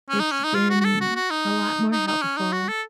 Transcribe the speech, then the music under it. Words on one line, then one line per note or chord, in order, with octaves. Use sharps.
it's been a lot more helpful.
C#4
D#4
C#4
D#4
F4
F#4
F#4
A4
F#4
F#4
D#4
D#4
D#4
C#4
D#4
F#4
A4